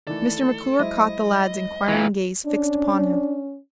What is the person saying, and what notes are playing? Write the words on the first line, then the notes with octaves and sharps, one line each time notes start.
Mr. McClure caught the lad's inquiring gaze fixed upon him.
D#3 E3 A3 A4 D5
F#3 G#3 E4 C5 D#5
A#2 E3 E5
C#4 D4